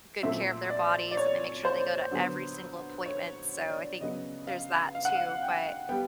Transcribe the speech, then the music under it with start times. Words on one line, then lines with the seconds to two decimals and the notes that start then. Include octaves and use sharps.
good care of their bodies, and they make sure they go to every single appointment, so I think there's that, too, but
0.23 A#2 F#3 A3 C4 E5
0.70 D5
1.11 D5
1.17 C#5
1.65 C5
2.11 D3 F#3 B3
3.06 C#5
3.69 D5
4.00 C#3 F#3 B3 D#5
4.47 F5
4.95 F5
5.05 F#5
5.15 F5
5.42 G5
5.89 G3 B3 G5